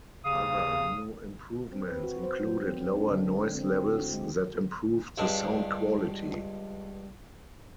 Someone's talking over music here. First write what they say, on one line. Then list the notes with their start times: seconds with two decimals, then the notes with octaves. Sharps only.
Other new improvements included lower noise levels that improved the sound quality.
0.25 D#2 C#3 F5 D#6
1.72 C4
1.88 B4
2.03 F#4
2.23 C5
2.43 F#3
2.67 C4
2.97 D4
3.11 D3
3.27 G#3
3.55 C4
3.86 F#4
4.14 G#3
5.18 C#2 G2 G#3 D4